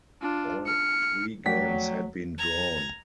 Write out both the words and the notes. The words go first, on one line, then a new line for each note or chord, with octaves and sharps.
All three games had been drawn.
D4 F4
F6 C#7
F2 F#3 A3 C#5 D5 F#5 G5 B6
A#5 G#6